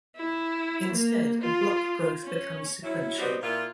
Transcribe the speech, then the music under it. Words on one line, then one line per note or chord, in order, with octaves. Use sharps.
Instead, block growth becomes sequential.
E4
A#3
F4
C#4
F#3 C#4 E4
G3 B3 C4 D#4 F#4
A#2 E4 F4